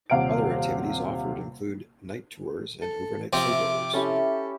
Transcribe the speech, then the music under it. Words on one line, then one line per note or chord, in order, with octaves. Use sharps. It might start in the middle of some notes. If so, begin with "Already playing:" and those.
Other activities offered include night tours and overnight sleepovers.
D#1 C3 F5 F#5 D7
A4
C3 F3 C4 E5 G5 D6
C#4 E4 G4 A4